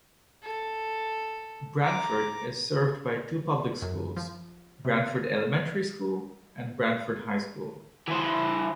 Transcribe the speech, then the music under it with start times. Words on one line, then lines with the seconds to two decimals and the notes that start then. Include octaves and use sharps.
Branford is served by two Public Schools, Branford Elementary School and Branford High School.
0.43 A4
1.82 A#5 D6
3.82 F#2
4.17 F3
4.85 C3
8.08 E3 C5